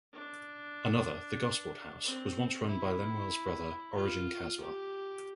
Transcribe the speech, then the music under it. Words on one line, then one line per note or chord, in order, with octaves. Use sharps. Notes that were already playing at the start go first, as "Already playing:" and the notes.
Another, the Gosport House, was once run by Lemuel's brother Origen Caswell.
D4
C4
E4
F4
G4